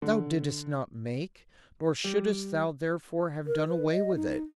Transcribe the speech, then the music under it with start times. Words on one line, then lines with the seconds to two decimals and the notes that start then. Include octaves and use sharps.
Thou didst not make, nor shouldst thou therefore have done away with it.
0.02 D3
2.04 G3
3.47 A#4
3.67 B4
3.91 D#5
4.15 D#4